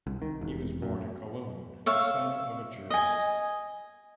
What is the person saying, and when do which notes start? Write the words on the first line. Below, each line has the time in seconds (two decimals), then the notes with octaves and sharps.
He was born at Cologne, the son of a jurist.
0.07 C2
0.22 D#3
0.41 E1
0.82 F#2
1.86 C#5 E5 F5 C#6
2.90 D#5 G#5